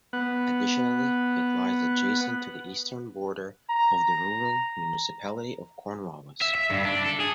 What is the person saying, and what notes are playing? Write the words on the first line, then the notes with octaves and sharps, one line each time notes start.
Additionally, it lies adjacent to the eastern border of the Rural Municipality of Cornwallis.
B3 F#5
A#5
E5
E5
G2
D4
A4
G#4